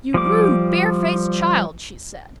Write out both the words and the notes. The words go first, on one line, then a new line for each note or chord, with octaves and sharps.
'You rude, barefaced child!' she said.
F3 G3 D6